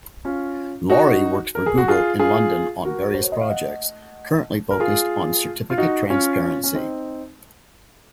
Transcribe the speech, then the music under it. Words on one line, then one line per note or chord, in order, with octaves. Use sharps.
Laurie works for Google in London on various projects, currently focused on Certificate transparency.
C#4 F4
D#4 F#4
A#4
G#4
F#4
F4 G#4
F4 G#4
F#4 A#4
C5
C#5
D#5
F5
D#5 F#5
A#4
F4 G#4
F4
D#4 F#4
C#4 F4
C#4
C4 D#4